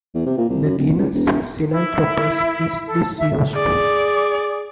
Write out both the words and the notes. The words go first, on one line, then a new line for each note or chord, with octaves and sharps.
The genus "Sinanthropus" is disused.
E2
C3
A#2
C2
F#2
D1
C#2
E1
E1
E4
A4
E5
G#4 D5